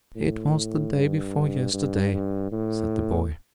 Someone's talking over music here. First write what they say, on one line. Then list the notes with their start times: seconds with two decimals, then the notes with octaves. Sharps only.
"It was the day before yesterday," said the boy.
0.16 A2
0.94 G2
1.74 G2
2.13 G2
2.52 A2